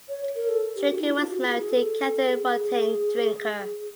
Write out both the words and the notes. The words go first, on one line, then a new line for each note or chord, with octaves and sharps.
Drinker was married to Katherine Rotan Drinker.
C#5
A#4
A4
G4
F#4
D#4
E4
F4
F#4
G#4
G#4
A4
G#4